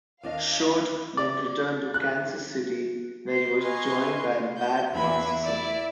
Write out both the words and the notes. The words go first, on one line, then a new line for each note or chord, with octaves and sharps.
Short then returned to Kansas City where he was joined by Bat Masterson.
D#2 D4 D#5 F5
D5
F#6
C5
B4 D#5 F5 G#5 C6 C#6
G6
E2 E4 B4 E5 B5 G#6
E4 D5 E5